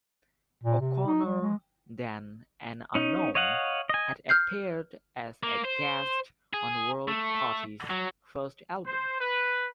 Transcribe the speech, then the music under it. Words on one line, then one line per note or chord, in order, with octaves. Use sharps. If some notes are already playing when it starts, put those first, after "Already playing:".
O'Connor, then an unknown, had appeared as a guest on World Party's first album.
A#2
C3
D#4
G3
G#3
C#4 D#4
C#5 D#5 F5 F#5
D#5 G#5
F6 G6 C7
A#3
C5
G#4
A3
F#3
C5
B4